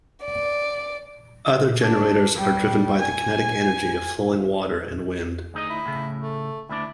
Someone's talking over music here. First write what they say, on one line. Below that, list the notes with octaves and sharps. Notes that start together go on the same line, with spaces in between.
Other generators are driven by the kinetic energy of flowing water and wind.
D5
D4
G3
G#5
D2 D#4 G#4 D#5
E4
A2 C#3
A3
D2 D4 E4